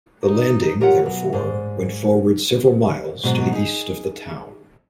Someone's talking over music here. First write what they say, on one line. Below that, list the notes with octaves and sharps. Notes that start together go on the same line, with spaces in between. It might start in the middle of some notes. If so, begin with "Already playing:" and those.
The landing, therefore, went forward several miles to the east of the town.
D#4
F4 G4 A#4 C#5 D5 F#5
B2 F#3
G#2 C5 D5
G#2 B2 F#3
D#4 G#4